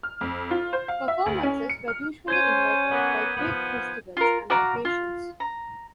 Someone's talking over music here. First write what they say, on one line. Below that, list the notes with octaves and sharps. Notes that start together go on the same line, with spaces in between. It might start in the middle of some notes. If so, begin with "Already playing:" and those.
Performances were usually invited by big festivals and occasions.
F6
F2
F4
C5
F5
E5
D2
C#4
C#7
F6
C#4 C5 G6 G#6 D#7
F#3 A#3 B3
D#3 F3 B3
F4 A#4
F#4 D5 F5 A#5
F4
A#5